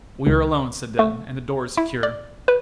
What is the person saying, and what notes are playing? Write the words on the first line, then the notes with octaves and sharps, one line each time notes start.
"We are alone," said Denton, "and the door is secure."
C#2
A3
E4
D5
B4